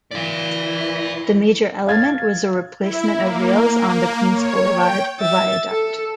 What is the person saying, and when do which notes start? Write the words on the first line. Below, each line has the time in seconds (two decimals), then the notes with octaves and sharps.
The major element was the replacement of rails on the Queens Boulevard viaduct.
0.11 E3 D5 F5
1.87 F5 G#6 A6
2.80 E4
3.16 A#3
3.80 A#3
4.28 C#5
4.70 G5
5.19 E5 A6
5.70 A4